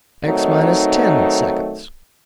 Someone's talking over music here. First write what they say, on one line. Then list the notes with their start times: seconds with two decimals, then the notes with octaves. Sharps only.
X minus ten seconds.
0.24 D#3 F#3 A3 C4 D#4